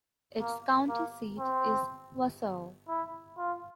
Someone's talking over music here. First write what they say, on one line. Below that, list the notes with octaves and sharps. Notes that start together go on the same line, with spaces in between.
Its county seat is Wausau.
A#3
A#3
C4
E4
F4